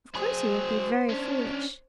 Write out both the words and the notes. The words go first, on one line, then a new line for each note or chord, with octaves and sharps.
Of course he would be very foolish.
F#3 G#4 C5
C#4 D4